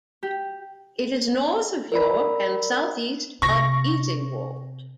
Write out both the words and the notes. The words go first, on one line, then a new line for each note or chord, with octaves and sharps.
It is north of York and south-east of Easingwold.
G4
A#4 D5 B5
C3 C#6 A#6